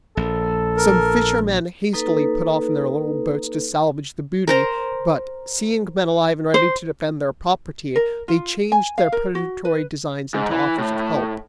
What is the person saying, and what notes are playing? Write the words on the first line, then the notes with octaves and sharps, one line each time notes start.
Some fishermen hastily put off in their little boats to salvage their booty, but, seeing men alive and ready to defend their property, they changed their predatory designs into offers of help.
A#1 A4
A#4
A#3 D#4 A4 B4
A#4 C5 A#5
C5
A#4
F4
G#5
F5
A#4
F#4
B4
G#2
E3
A2